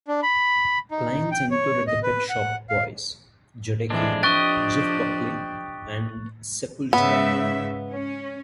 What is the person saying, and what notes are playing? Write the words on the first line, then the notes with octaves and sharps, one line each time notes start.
Clients included the Pet Shop Boys, Jodeci, Jeff Buckley and Sepultura.
D4
B5
D#4
G5
C#5
D#5
B4
F#5
F5
F2 E3 F3 G#3 D4
F3 D4 G4 D#5 C#6 F#6 A6
G#2 C#3 B3 E5
C#4